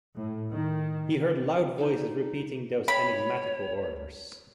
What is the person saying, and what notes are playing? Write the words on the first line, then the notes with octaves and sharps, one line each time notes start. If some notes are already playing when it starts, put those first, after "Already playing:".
He heard loud voices repeating these enigmatical orders.
A2
D#3
D#4
C#5 B5